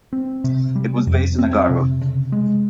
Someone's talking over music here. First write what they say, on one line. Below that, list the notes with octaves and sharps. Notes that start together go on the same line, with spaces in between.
It was based in Agaro.
C4
C3
G3
F2
C4
C3
C#3
G#3